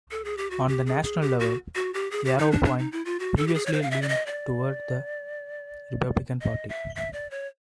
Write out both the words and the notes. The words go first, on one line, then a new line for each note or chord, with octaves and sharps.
On the national level, Yarrow Point previously leaned toward the Republican Party.
A4
G#4
G4
F#4
G4
G#4
G#4
G4
F#4
F#4
G4
G#4
G4
D#4
D4
D4
D#4
E4
F4
F#4
A4
G4
G#4
C#5
C5
F5
E5
D5
D#5
D5
D#5
E5
E5
D5
C#5